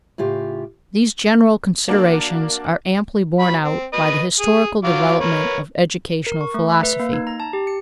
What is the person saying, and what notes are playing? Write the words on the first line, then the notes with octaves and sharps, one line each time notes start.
These general considerations are amply borne out by the historical development of educational philosophy.
A2 C#3 F4 G4
A#3 D4 F#4 A#4
F#3 B5
C4
B4 D#5
G#4
F#3 F4 D6
A#4 B4 C#5
A#4
C#6
A3
E5
B4
A#3
D#4
A#5
A5
G4
C#7